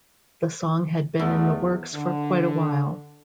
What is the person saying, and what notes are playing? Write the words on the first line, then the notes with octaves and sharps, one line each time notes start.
The song had been in the works for quite a while.
E2 B2 D3 A3
D3